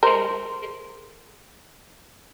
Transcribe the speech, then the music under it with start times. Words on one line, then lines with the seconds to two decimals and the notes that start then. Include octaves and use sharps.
And it's
0.03 A#4 C5